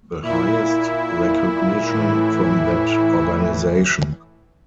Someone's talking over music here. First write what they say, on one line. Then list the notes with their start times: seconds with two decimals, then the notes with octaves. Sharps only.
The highest recognition from that organization.
0.22 A#2 E4
1.90 A2 E3